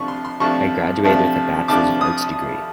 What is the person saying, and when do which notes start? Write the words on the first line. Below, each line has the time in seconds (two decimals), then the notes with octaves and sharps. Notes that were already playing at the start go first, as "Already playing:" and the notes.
I graduated with a bachelors of arts degree.
Already playing: C3 F3 A3 D4 C#6
0.08 C6
0.25 C6
0.40 C3 F3 A3 D4 C#6
1.04 C3 F3 A3 D4
1.68 C3 F3 A3 D4 D6
2.01 D#6